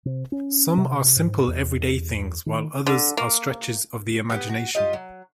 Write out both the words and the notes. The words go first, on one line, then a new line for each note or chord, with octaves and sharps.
Some are simple everyday things, while others are stretches of the imagination.
C3
C#4
C3
G#2
E2
D#3
D3
A#3
B3 G4
F#4
F4 G4 D#5
F#3